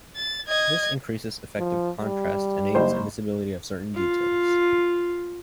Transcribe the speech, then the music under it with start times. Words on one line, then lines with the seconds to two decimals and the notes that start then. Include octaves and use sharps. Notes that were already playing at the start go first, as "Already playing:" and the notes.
This increases effective contrast and aids in visibility of certain details.
0.16 A6
0.48 D#5 G#6
1.58 F3
2.00 G3
2.75 F#1 C5
3.95 F4